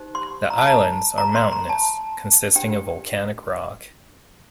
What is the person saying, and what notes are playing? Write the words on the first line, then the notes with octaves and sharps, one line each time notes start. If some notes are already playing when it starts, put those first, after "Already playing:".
The islands are mountainous, consisting of volcanic rock.
Already playing: D#4 G4 C5
C6
A#5
A5
A#5
A#5
C6
A#5
A5
D4 G4 C5 G5